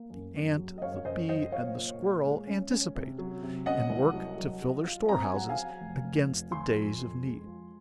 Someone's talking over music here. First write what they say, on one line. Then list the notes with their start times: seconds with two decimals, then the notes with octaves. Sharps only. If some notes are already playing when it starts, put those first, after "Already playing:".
The ant, the bee, and the squirrel anticipate, and work to fill their storehouses against the days of need.
Already playing: A#3
0.10 F#2
0.34 F#2
0.57 F#3
0.78 D#5
0.81 F#2 C#5 F5
1.05 F#2 C5 D#5
1.29 F#2 C5 D#5
1.52 F4 C#5 F5
1.76 A#2
2.00 F4
2.24 G#3
2.47 C#4
2.71 C#4
2.95 C3
3.18 F#3
3.43 C3
3.66 C#4 D#5 F#5
3.90 C2
4.14 F#3
4.37 F#3
4.62 F#3
4.86 F4
5.09 C4 A#5
5.22 G#5
5.34 F#3 F#5
5.49 F5 G#5
5.57 F#3
5.80 F1
6.04 F1
6.28 F2
6.51 F1 G#5 C6
6.76 F2
6.99 F2
7.23 G#3
7.46 F3